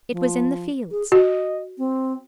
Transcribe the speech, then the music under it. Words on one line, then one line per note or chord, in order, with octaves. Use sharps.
It was in the fields.
F3
G#4
F#4 D#5
C4